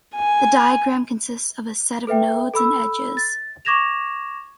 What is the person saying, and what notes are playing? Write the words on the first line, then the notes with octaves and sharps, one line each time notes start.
The diagram consists of a set of nodes and edges.
G#5
A4 B4 E5 G5
A4 B5 E6
A6
C#6 D6 G#6 A#6 E7 F7